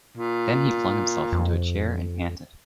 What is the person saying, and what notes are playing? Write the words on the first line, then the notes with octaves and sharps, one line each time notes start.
Then he flung himself into a chair and panted.
A#2
F2